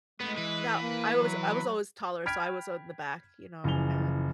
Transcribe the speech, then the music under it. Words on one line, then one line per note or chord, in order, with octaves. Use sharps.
Now, I was I was always taller, so I was on the back, you know, and
G#3 A3 B3 B4
E3 B4
A#3
F#3
G5 B5 F6 G#6 B6 D7
F#1 E3 F3 G#5 F7 G7